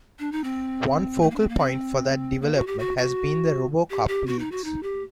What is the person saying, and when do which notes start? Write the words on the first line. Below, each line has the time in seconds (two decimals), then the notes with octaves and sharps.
One focal point for that development has been the Robocup Leagues.
0.19 D4
0.32 D#4
0.44 C4
1.22 A3
1.31 A#3
1.36 D4
1.40 C4
1.49 A#3
1.58 C4
2.42 A#3
2.54 F#4
2.67 G4
2.79 F#4
2.97 F#4
3.90 G4
4.08 G4
4.27 F#4
4.39 D#4
4.52 F#4
4.64 D#4
4.83 G4